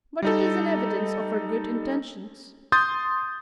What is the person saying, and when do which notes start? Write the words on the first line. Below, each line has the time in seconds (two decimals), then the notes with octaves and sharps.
But it is an evidence of her good intentions.
0.22 G3 D#4 A4
2.72 C6 D#6 G6 A6